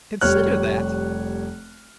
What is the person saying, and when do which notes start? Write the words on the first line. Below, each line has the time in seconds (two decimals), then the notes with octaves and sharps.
Consider that!
0.21 F1 G3 C#5 F6 F#6